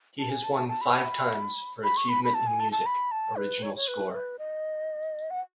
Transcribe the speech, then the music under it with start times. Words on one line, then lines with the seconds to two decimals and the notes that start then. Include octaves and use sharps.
He has won five times for Achievement in Music - Original Score.
0.19 A5
0.30 G#5
0.43 A5
0.56 A5
0.69 A5
0.81 B5
1.84 B5
1.97 C#6
2.09 B5
2.24 B5
2.34 A5
2.47 G#5
2.60 A5
2.72 A5
2.86 B5
3.11 A5
3.36 B4
3.63 C#5
3.76 C#5
3.88 B4
4.14 B4
4.39 D#5
5.30 F#5